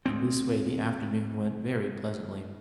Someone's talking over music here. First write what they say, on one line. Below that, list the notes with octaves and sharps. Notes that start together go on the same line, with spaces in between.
In this way the afternoon went very pleasantly.
D2 C4